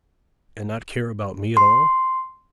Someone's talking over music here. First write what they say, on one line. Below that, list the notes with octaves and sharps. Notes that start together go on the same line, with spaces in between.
'And not care about me at all?'
C6